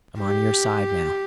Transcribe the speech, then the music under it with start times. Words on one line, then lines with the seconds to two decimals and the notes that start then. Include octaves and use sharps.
"I'm on your side now."
0.19 G4